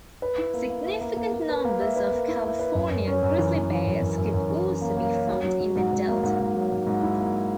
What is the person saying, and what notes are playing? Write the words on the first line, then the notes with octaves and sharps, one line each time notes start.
Significant numbers of California grizzly bears could also be found in the Delta.
B4
E4
A#3
A#3
E5
A#3
A#3
A#3
B4
A#3
E5
B4
A#3
E4
E5
B4
F#2
F#2
C#4
F#2
E3
E3
E3
F#2
F#2
F#2
F#2
E3
C#4
A#3
A#3
C#4
F#3
F#3
F#3
G#2
G#2
A#3
G#2
G#2
F#3
G#2
G#2
E4
A#3